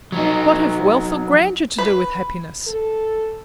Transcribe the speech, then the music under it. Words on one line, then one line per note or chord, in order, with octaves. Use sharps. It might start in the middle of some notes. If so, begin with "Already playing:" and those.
"What have wealth or grandeur to do with happiness?"
F#3 D#4
B4
A4